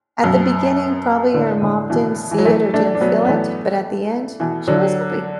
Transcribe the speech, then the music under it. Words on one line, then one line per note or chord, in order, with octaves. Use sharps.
At the beginning, probably your mom didn't see it or didn't feel it, but, at the end, she was happy.
F#2 B2
A2 D3
A2 D3
B2 E3
E3
F#3
E3 A3
A3 D4
D4
F#3 B3
B3
E3 A3
B2 E3
D3 F#3